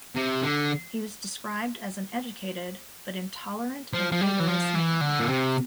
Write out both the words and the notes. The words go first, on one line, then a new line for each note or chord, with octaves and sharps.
He was described as an educated, but intolerant and vigorous man.
C3
D3
F3
F3
G3
E3
F3
E3
D3
A#2
C3